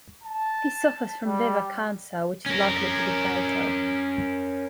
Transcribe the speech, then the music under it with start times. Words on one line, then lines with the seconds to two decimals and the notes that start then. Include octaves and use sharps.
He suffers from liver cancer which is likely to be fatal.
0.23 A5
1.24 G3
2.46 C#4 A#4